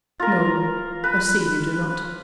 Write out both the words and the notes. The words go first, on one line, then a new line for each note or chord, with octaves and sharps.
'No, I see you do not.
F4 A#4
B4